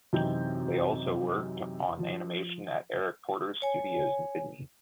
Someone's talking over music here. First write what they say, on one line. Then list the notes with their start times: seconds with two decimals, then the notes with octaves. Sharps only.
They also worked on animation at Eric Porter's studios in Sydney.
0.13 F#2 C3 E3 C4 D#4 G6
1.99 F3
3.62 C#5 G#5